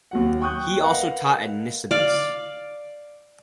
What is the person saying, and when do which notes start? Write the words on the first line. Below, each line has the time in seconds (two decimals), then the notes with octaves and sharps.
He also taught at Nisibis.
0.11 D#2 F#3 F#5
0.41 G5 C#6 D#6 F#6 G6
0.84 A#4 B4 D#5 F5 F#5
1.91 D5 F5